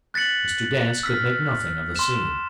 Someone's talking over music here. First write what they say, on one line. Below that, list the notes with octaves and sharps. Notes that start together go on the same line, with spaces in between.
Mr. Dance could make nothing of the scene.
F#6 A6 B6 C#7 F#7
E6 F6 B6
C6 E7